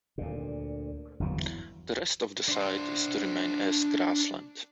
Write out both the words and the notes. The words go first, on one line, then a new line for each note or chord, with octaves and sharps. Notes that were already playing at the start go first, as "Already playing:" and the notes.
The rest of the site is to remain as grassland.
D2 A#2
G1 E2 E3 F#3
D4 C5